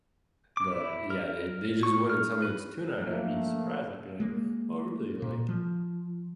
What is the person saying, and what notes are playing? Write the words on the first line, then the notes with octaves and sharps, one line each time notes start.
but yeah, they they just wouldn't tell me it's tuna, and I'd be surprised, I'd be like, "Oh, really?" Like
D6
E4
A#4
C#6
F6
B4
F3 A3 A#3
G#3 A#3
A#2
F3